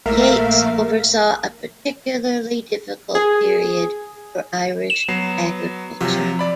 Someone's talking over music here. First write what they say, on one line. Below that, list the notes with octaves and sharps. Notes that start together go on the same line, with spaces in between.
Yates oversaw a particularly difficult period for Irish agriculture.
A#1 A3 A#3 A#4 E5 F5
G#4
E7
F#3 B3 C7
C3 F3 F#3
D5 B5